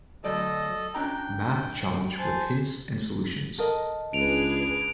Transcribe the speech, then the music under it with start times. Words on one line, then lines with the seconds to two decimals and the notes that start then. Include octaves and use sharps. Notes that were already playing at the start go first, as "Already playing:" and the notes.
Math Challenge with Hints and Solutions.
0.24 D2 F#3 A4 D5 D#5
0.95 C#4 D4 G5 A#5
2.19 C5 G#5 A5
3.58 A4 A#4 D#5
4.13 C#2 D4 G#4 B4 D7 F7